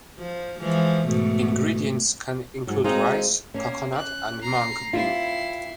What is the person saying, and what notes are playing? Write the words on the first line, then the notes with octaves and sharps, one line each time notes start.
Ingredients can include rice, coconut and mung bean.
F3
E3 F3 G#3
G#2 B2 A3
G#2 F#3
F#3 G#3 C4 D#4 F4
A#3 C#4
F#6
A#5 C7
C4 E4 F4 C7